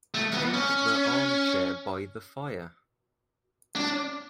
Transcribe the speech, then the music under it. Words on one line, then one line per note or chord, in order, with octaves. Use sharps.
Take the armchair by the fire.
A3
B3
C#4
D4